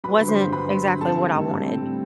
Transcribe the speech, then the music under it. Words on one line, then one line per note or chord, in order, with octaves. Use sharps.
wasn't exactly what I wanted,
F#3 B4 B5
D3
C5 C6
G2
G2 B4 B5
F#3
D3
C4 A4 A5
G3
A2
A2
C4
G3